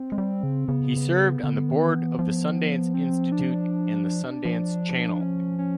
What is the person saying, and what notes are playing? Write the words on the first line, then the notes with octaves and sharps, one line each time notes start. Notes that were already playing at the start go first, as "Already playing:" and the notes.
He served on the Board of the Sundance Institute and the Sundance Channel.
Already playing: C4
G#3
G3
C#3
C#3 B3
D3
D#3
E3
F3
C4
D4
F3
C#4
C#4